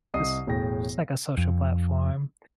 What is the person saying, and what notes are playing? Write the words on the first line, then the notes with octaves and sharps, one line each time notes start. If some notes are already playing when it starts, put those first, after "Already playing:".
just just, like a social platform,
C2 D#5 D#6 C7
E1 A2 G#4 G5 A#6
F2